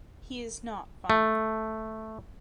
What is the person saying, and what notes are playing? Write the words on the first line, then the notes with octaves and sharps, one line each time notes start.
He is not final.
A3